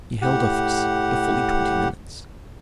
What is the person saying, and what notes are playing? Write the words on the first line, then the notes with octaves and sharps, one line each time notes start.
He held office for fully twenty minutes.
A2 G4 F#5